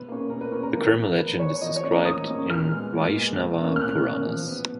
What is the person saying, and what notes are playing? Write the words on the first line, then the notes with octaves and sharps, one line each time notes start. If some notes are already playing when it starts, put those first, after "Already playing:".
The Kurma legend is described in Vaishnava Puranas.
Already playing: B2 B4
A#3 C#4
B2 A#4
B4
A#3 C#4 A#4
A#4
F3
B3
F3 B4
B3 C#5
F3 D#5
C#5
A#3 C#4
A#5
F3 D#6
A#3 C#4
A#2 F6
G#3 B3
A#2
G#3 B3
B2
A#3 C#4
F6
B2 F#6
A#3 C#4
F3
B3